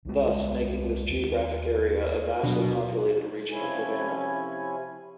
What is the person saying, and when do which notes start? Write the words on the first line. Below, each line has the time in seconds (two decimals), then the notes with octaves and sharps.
Thus, Making this geographic area a vastly populated region of Havana.
0.05 C2 G#3
1.09 D#2
2.43 B2 F#3 D4
3.51 C3 F3 C#4 E4 G#5